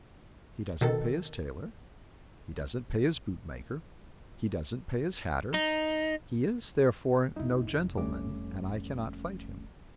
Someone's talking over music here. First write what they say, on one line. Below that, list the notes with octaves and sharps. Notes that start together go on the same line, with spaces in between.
"He doesn't pay his tailor, he doesn't pay his boot-maker, he doesn't pay his hatter--he is, therefore, no gentleman, and I cannot fight him."
B2 D#3 A4
D#4
F1 F2 D#4 E4
G3 A3 C#4 D6